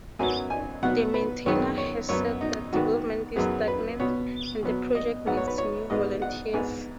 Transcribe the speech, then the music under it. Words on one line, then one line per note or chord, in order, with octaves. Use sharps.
The maintainer has said that development is stagnant and the project needs new volunteers.
F#2 F#3 B3 G#5
G#5
B2 F#3 B3 F#5
B4
F#2 D#3 G#3 B3 C#5
C#5
F#2 F#3 B3 C#5
D#4
G#2 D#3 B3 F#4
F#2 F#3 B3 G#4
B4
B2 B3 C#5
B2 F#3 B3
D#5
G#2 F#3 B3 F#5
C#5
B4
C#5
G#2 G#3 B3 D#5
F#5
G#2 G#3 B3 G#5